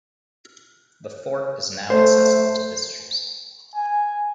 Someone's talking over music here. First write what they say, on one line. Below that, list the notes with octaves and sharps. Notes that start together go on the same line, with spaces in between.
The fort is now accessible to visitors.
A3 C5
G#5